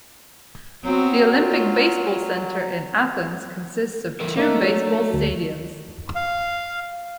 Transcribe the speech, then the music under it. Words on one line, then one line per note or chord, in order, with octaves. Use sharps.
The Olympic Baseball Centre in Athens consists of two Baseball stadiums.
F#3 B3 C4 F#4
F4
E3 A4 A#4
A3 A#3 D#4
F#3
D2
F5